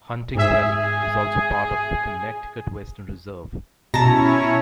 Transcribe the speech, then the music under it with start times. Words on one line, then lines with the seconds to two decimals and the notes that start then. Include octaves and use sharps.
Hunting Valley is also part of the Connecticut Western Reserve.
0.35 G#2 G#4 E5
3.94 B2 C#4 E4 C#5 A5 A#5